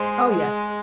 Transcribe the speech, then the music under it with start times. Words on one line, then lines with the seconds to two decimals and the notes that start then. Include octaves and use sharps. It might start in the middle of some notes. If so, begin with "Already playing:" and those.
Oh yes.
Already playing: G#3 C5
0.30 G#3 G#4